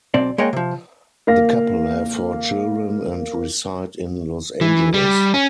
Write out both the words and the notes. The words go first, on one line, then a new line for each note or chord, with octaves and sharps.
The couple have four children and reside in Los Angeles.
B1 B2 C4 D5
G#3 A#3 C#5 D#5 F#5 G5
C3 F3
A#3 F5 A#6
E3
G3
C#4